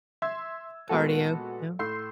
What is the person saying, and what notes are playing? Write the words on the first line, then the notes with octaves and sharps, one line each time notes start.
Cardio? No.
E5 C6 E6 G#6
A#2 G#3 B3 F#4 A4
A2 C6 E6 G6 C7